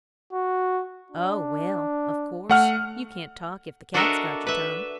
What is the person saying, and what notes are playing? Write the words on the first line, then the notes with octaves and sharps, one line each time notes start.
"Oh, well, of course, you can't talk, if the cat's got your tongue."
F#4
D4
A3 F#5 F6
D4 F#4 A4 A#4 D#5 E5
B4 E5